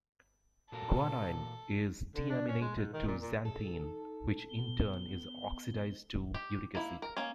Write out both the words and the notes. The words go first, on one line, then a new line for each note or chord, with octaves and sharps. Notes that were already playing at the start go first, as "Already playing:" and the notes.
Guanine is deaminated to xanthine which in turn is oxidized to uric acid.
A#2 F#4 A4 A#4
D3
D4
C#4
G#3
G#2
D#3
A#2
A#2
G#4 A4
D#4
B3 G7
G4
A#3 E4
A#4
A#3 C#4